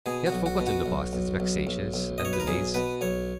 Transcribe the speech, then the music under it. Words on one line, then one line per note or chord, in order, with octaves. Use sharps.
He had forgotten the past, its vexations and delays.
B2 G#4
F#4
B1
F#4
B2
F#4
B1
B1
B1
B1
B1
D#5
B1 C#5
B4
A#4
B1 G#4
B2 B4
B1 C#5